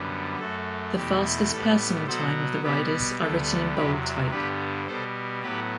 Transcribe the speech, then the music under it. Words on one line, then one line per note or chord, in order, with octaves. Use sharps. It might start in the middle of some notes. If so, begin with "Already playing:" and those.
The fastest personal time of the riders are written in bold type.
Already playing: F#2 D3 G3 B3
F#2 F#3 A3 A4
E2 B2 A3 G4
A2 G3 B3 A4
B2 F#3 B3 A4 C5
B2 G3 B3 G4 B4
D2 D3 G3 B3 A4
E2 C3 F#3 G4 B4
G2 D3 G3 B3 G4 B4
B2 G3 B3 A4 C5
A2 F#3 B3 G4 B4